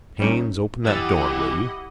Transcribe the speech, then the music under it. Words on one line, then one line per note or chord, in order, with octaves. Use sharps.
Haines, open that door, will you?
G3 C#4 D#4
G2 E3 E4 G4 D#5 F#5 E6 A6